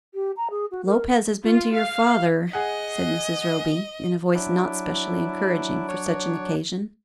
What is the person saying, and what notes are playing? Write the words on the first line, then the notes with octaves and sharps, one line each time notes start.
"Lopez has been to your father," said Mrs. Roby, in a voice not specially encouraging for such an occasion.
G4
A#5
G#4
F#4
A#4
F4
F5
G#4 D#5 F#5
F#3 D4 E4
C#5